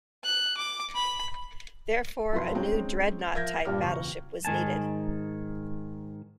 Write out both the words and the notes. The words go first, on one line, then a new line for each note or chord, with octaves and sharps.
Therefore, a new dreadnought-type battleship was needed.
F#6
D6
B5
B1 F2 E4 B4 C6
G#3 C4 C#4 D#4
F3 A#4 E5 G6 G#6 A#6
G2 A#2 G3 D6 F6
E1 C#2 C#6
G#2 D#3 A#3 G#5 A5